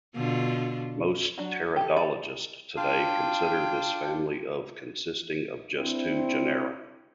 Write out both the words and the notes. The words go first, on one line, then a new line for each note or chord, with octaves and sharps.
Most pteridologists today consider this family of consisting of just two genera.
B2 D3 F4
F#3 D4 F#4
G4 A4
D5
D4 F4 G5
C4 D4 E4